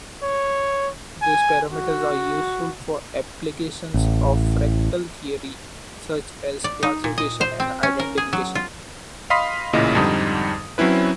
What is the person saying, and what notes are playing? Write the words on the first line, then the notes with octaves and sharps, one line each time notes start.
These parameters are useful for applications of fractal theory such as classification and identification.
C#5
G#5
F#4
A1
D5
D#4
A#2
D#5
C5
C4
C#4
A#4
G#4
F#3
F4
D#5 F5 B5 C6 D#6 B6
A1 A#2 C#3 E4 D#5
F2 G#2 D3 G3 D#4 D#6
F#3 C4 C#4 E4 B4